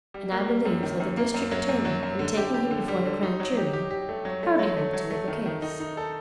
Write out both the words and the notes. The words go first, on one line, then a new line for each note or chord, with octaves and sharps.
And I believe that the district attorney, in taking him before the grand jury, hardly hoped to make a case.
G3
A#3
G3
F#2
D#3
F#2
A#3
F#2
F#3
F#2
F#3
F#2
D3
G4
G4
D3
G3
D3
D#4
F#3
G4
G4
G4
A3
F#3
A3
F#3
A3
F#3
A3
D#3
D#3
D#4
D#4
A4